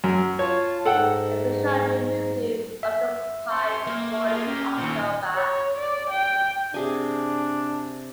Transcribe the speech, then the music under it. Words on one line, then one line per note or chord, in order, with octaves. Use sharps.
The Finnish Army moved to occupy Reboly in October.
F#2
F4 C#5 A5
G#2 A4 F#5 G5
E5
C4 C#4 C6
A#3
G#3 F4
A#3 C#4 G4 A#4
A#2 D#3 E3 C4 C#4
C#5
D5
G5
C3 D4 G#4 G#5